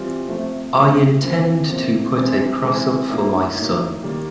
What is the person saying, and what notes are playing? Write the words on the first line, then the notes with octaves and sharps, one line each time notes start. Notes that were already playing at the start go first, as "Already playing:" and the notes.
I intend to put a cross up for my son.
Already playing: E3 G3 C4 F4
C3 F3 A3
C3 F3 A3
C3 F3 A#3
C3 F3 A#3
C3 E3 G#3 C4
C3 E3 G#3 C4
A2 F#3 A#3 D#4
A2 F#3 A#3 D#4
D#3 G3 A#3